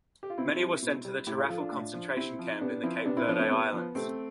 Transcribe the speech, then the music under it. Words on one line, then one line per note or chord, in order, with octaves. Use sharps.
Many were sent to the Tarrafal concentration camp in the Cape Verde Islands.
G4
F4
B2 C4 E4
G3
B2
G3
A2 E4 G4
F4 A4
F3 F4 A4
D4 F4
A2
F3
C3 C4 E4
F3
C3 B3 D4
F3 C4 E4
C3 B3 D4
C4 E4
F3 B3 D4
A3 C4
C3 B3
F3 B3
C3 A3 C4